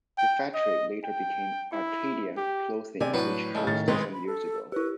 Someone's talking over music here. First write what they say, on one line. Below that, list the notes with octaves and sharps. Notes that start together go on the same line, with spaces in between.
The factory later became Arcadia Clothing which closed some years ago.
G5
D#5
G5
E4
G4
C3 D5 G#5
A2 F#3 F#4 B4 A5
C#3 G#3 A3 A4
A2 D#3 A#4 A6
G#1 G#3 C4 B4
B5
A4
E4 G4 B4